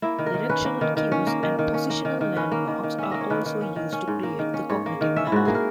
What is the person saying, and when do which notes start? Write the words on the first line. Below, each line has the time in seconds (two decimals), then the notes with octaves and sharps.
Directional cues and positional landmarks are also used to create the cognitive map.
0.02 A#3 E4
0.19 D#3
0.26 A#4
0.34 D#3
0.49 C#4 B4
0.65 A#3
0.81 D#3
0.97 D#3
1.12 C#4
1.27 A#3
1.43 D#3
1.59 D#3
1.74 C#4
1.90 A#3
2.05 D#3
2.21 D#3
2.36 C#4 B4
2.52 A#3
2.68 D#3
2.83 D#3
2.98 C#4 E5
3.12 A#3 D#5
3.21 C#5
3.30 D#3 B4
3.46 D#3
3.61 C#4
3.76 D#3
3.92 C#4
4.08 G#2
4.23 A#3
4.39 D#3
4.54 C#4
4.70 G#2 C#5
4.86 A#3
5.01 D#3
5.16 C#4 E5
5.27 E4
5.32 G#2 F#4
5.45 A#3 G#4
5.55 A#4